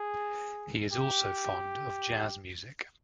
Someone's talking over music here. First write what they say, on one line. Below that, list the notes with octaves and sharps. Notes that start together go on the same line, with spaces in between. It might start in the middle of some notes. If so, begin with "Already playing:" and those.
He is also fond of jazz music.
Already playing: G#4
G4